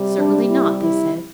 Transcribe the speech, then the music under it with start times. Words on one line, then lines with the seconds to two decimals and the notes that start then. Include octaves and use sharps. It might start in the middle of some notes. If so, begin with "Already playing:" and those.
"Certainly not," they said.
Already playing: C3 G3
0.16 D4
0.48 E4
0.79 E4